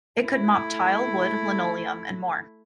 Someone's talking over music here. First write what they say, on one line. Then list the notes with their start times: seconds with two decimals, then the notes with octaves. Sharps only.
It could mop tile, wood, linoleum, and more.
0.20 A3 E4